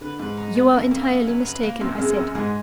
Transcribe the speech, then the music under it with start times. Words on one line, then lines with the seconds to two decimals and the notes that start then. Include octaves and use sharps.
"You are entirely mistaken," I said.
0.01 D3 B4
0.19 G#2 B4
0.37 D#4
0.55 B3
0.74 F#2 A#3
0.85 F2
0.91 A#3
0.97 F#2
1.09 B3
1.27 F#3
1.45 B4
1.63 A#3
1.81 F#2 A#2
1.99 F#2 G#3
2.17 F#2 A#2
2.35 G#2 G#3